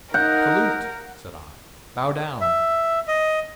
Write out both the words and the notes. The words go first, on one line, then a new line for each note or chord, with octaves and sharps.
"Salute!" said I. "Bow down!"
D#4 A#4 F#5 G6
E5
D#5